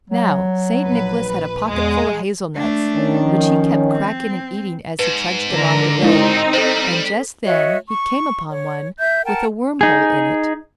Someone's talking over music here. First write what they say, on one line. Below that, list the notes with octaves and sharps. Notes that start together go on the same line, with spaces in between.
Now, St. Nicholas had a pocketful of hazel-nuts, which he kept cracking and eating as he trudged along the road, and just then he came upon one with a worm-hole in it.
F#3
A#1 B4
E2 G#3
A3 D4
D#3 C#4
F3
C4
G#2 B4
D3 A#4
G#3 C4 D#4 E4 A#4
G3 A4 C5
F#4 C#5 D#5 E5
C#6
C#5
E5 G6
A#4 F#5 G5 A5
D#4 G#4